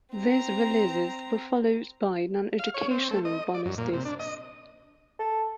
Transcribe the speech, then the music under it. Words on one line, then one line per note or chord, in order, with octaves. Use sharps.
These releases were followed by noneducational bonus discs.
C4 A#5
F5
C#5
C4
A3
D#5
D5
F#2
A#2
C3
D4
D#5
A4